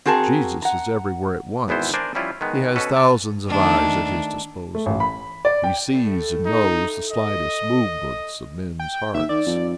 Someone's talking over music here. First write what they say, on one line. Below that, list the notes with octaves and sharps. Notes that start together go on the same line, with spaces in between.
Jesus is everywhere at once; He has thousands of eyes at His disposal; He sees and knows the slightest movements of men's hearts.
C4 F#4 G#4 A#4 A5
F#5 A#5
G#1 E2 B3 E4 C5
D4 A#4 C5 D5 G#5
F3 G3 C#4 E4 F4
D#3 G#3 B3
B2 C#4 F#4 A4 B4
A5
D#3 A3 D4
A3
A1
B5
D5
G5
A2 A3
D#4
D#5
G5
D#2 E5
D#3 D5
F2